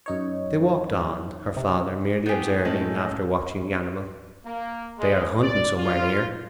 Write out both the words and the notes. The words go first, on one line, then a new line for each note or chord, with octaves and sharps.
They walked on, her father merely observing, after watching the animal, "They are hunting somewhere near."
F#2 D#4 C#5
C3
B3 D#4 G4 G#4
A2 G#3 C#4 D#4 A4
A#3
G#3
D5
F4